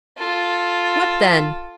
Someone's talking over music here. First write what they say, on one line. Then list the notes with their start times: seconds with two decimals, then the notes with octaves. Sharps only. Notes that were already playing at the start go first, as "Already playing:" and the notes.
What then?
0.18 F4 A4